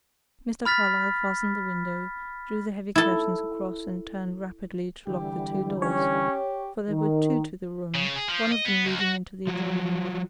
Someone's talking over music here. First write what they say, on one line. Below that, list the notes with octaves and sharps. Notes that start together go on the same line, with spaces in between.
Mr. Carlyle fastened the window, drew the heavy curtains across, and turned rapidly to lock the two doors--for there were two to the room, one of them leading into the adjoining one.
B5 F6 A6 B6
E4 A4
D3 E3 G3 G4
C#4 G4 C#5
D#3
C#3
G#4
F3
D#5
B3
C#2
F#4
F3 F#3